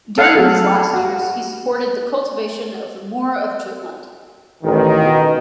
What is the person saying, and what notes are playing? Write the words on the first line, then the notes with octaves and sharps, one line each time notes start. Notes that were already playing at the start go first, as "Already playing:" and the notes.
During his last years he supported the cultivation of the moor of Jutland.
A4 F5 F#5
F#3 A3 G#4 A4
F#4
A1 D#3
B2